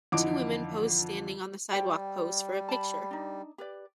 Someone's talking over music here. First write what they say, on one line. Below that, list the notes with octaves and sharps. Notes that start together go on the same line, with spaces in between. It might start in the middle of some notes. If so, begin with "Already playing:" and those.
Two women pose standing on the sidewalk pose for a picture.
F2 D3 E3 D#4 D6 D7
G3 C5 G5
A5 B5
D4 D#4
G4 B4 D5